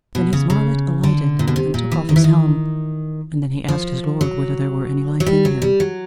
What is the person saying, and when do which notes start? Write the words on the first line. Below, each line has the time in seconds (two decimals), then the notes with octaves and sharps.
Then his varlet alighted, and took off his helm, and then he asked his lord whether there were any life in him.
0.15 B2
0.33 C#3
0.50 C#3
1.03 D3
1.39 A#2
1.47 B2
1.56 C3
1.74 A#2
1.92 E3
2.09 D#3
2.16 E3
2.24 D#3
3.68 F3
4.21 F#3
5.20 F#3
5.26 G3
5.45 F#3
5.62 G3
5.80 F#3